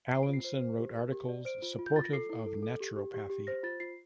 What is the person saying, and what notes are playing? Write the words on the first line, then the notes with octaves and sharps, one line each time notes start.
Allinson wrote articles supportive of naturopathy.
C5 C7
D7
F4
C7
C5
C5
G4
A#4
G4
D5
C5 D7
F4
F4
G6
F4 A6
A#6
A4 C7
E4
A4
A4
G4
G4
G4
G4
C5 A#6
F4 A6
F4 C7